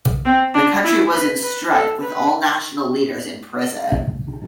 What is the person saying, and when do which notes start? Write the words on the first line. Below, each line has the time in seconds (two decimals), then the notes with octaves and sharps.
The country was in strife with all national leaders in prison.
0.25 C4
0.54 D4
0.84 E4
1.13 B4
1.43 B4
1.72 A4
2.02 B4